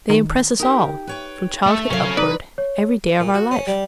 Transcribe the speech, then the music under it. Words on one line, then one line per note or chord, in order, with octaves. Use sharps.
'They impress us all, from childhood upward--every day of our life.'
D#3
D#4 G4 A#4
B4 C#5 G5
A3
C3 F#3 C#4 A4 F5
D#4 B4 D5
C#5
A#2
F#4
C#4
G3